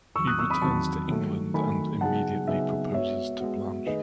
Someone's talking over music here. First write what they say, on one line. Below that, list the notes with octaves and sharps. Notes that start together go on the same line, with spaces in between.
He returns to England and immediately proposes to Blanche.
E2 D#3 F#3 C#6 E6
D#6 F#6
C#6 E6
B5 D#6
E2 D#3 F#3 A5 C#6
D#3 F#3 A3
D#3 F#3 A3 G#5 B5
C#3 F#3 B3 D#4 G#4 F#5 A5
C#3 F#3 B3 D#4 G#4 E5 G#5
G#3 B3 F#4 C#5 E5
G#3 B3 F#4
D#3 A3 D#4 G#4 B4 D#5